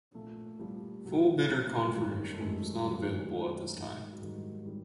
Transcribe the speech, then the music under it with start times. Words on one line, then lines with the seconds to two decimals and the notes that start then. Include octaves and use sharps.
Full bidder confirmation was not available at this time.
0.14 A#2 F3 A3
0.59 A#2 F3 G3
1.05 A#2 F3 F#3
1.50 A#2 F3
1.67 A#3
1.77 A3
1.86 G#3
1.95 F#2 D#3 G3
2.34 A3
2.41 F#2 D#3 G#3
2.86 F#2 D#3 F#3
3.32 F#2 D#3
3.77 G#2 D#3
4.12 F#3
4.21 G#2 D#3 G3
4.66 D#3 G3